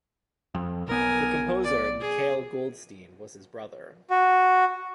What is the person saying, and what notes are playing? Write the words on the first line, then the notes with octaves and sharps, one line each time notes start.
The composer Mikhail Goldstein was his brother.
F2
B1 B3 A#4 G#5
D5
G#4
F#4